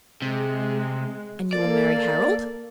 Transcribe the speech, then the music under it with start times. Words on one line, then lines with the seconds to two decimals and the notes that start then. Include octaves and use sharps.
'And you will marry Harold?'
0.22 C3 G#3
1.53 A#3 A4 D5